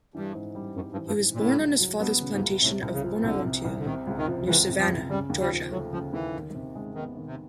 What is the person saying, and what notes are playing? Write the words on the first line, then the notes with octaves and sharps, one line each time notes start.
He was born on his father's plantation of "Bonaventure", near Savannah, Georgia.
G2 E3
G#2
G3
F#2 C4
G2
E3
G2
G#2
A#2
A2 C#3
C#2
F#3
G2 B3
C#3
G#2
C#2
A2 C3
C2
C#3
F3
C2 D3
C3
C2
D3
C3 D#3
C#2
D#3
F3
C#2 E3
C3
F3
C#2
C#3 G3
D#2
G3
F3
F#3 A3
C#3 F3
D#2 E3
D#3
C3
G#3
D#3 B3
D#3
C3